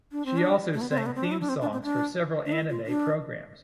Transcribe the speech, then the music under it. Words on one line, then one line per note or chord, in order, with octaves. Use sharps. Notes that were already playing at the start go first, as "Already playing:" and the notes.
She also sang theme songs for several anime programs.
D4
C4
D4
A3
B3
C4
A3
B3
C4
D4
E4
D4
C4
D4
C4
D4
D4
E4
F4
D4